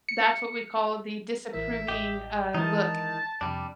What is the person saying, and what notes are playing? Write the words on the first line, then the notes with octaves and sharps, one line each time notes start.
That's what we call the disapproving, uh, look.
C#7
A1 E3 A#4 E5
A1 G4 D#5 G6
D#3 E3 G#3 D#4 E4 A5
F2 C3 G3 D4